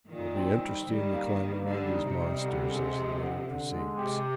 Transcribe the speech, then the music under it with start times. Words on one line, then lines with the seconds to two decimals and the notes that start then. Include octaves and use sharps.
It will be interesting to climb around these monsters as the winter proceeds.
0.09 A#2 D#3
0.35 C4
0.61 G3
0.87 D#3 G3
1.12 A#3
1.39 G3
1.64 D3 G3
1.90 D#4
2.04 C3
2.16 G3
2.42 D3
2.68 G#3
2.93 F2
3.20 D3
3.45 D3
3.71 G#3
3.97 C3 G4